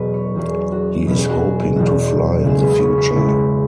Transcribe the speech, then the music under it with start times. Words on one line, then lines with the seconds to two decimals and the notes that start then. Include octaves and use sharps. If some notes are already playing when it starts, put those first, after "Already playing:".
He is hoping to fly in the future.
Already playing: E2 B2 F#3 C#4 G#4 B4
0.14 C#5
0.35 E2 B2 F#3 C#4 E4 G#4
0.72 F#4
1.04 E2 B2 F#3 C#4 E4 B4
1.18 G#4
1.30 F#4
1.41 G#4
1.76 E2 B2 F#3 C#4 E4 F#4
2.44 C#3 G#3 E4 G#4
2.62 B4
2.80 C#5
2.98 B5
3.15 C#3 G#3 E4